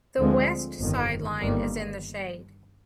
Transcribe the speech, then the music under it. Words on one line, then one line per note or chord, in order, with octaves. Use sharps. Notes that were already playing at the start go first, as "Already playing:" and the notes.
The west sideline is in the shade.
D2 D3 F3 G#3 C4
G1 F2 D#3
G1 G2 D#3 G3 A#3